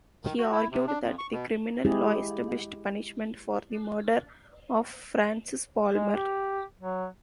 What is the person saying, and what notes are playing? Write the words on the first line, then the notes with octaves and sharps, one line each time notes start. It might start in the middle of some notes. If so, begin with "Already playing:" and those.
He argued that the criminal law established punishment for the murder of Francis Palmer.
D#3
F#4
E4
C3
D4
F2
C#6
B2
G#3 E4 G4 G#4
G#3
G4
F#3